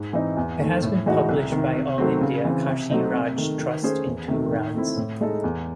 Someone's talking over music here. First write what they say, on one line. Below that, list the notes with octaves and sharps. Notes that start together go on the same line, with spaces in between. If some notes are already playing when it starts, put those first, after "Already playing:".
It has been published by All India Kashiraj Trust in two rounds.
Already playing: G#2
E3 C4 D#4
E2
D#3 A3
A2
E3 G#3 D#4 F#4
C2
C3 D#3
C3
D#3 F#3 A3 C4
C#3
E3 C4
C3
F#3 A3 C4 D#4
C3
D#3 A3
D#3
A3 C#4 G#4 C5
E2
C3 D#3 A3
D#3
A3 C4 E4
A2
G#3 D#4 A4
E2